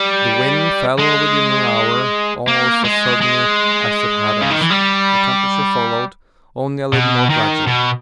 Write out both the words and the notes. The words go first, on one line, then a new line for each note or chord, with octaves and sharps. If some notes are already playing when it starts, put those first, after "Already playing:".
The wind fell within an hour almost as suddenly as it had arisen; the temperature followed, only a little more gradually.
Already playing: G3
G#3
A#3
G#3
G#3
C#3
D#3
E3
G3
B2
D#3
B2